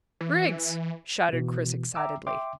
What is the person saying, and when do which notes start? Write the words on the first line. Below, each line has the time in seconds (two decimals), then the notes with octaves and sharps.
"Griggs!" shouted Chris excitedly.
0.21 E3
1.29 B2 E3
1.95 E5 G5 A#5 D6 E6
2.27 E5 G5 C6 D6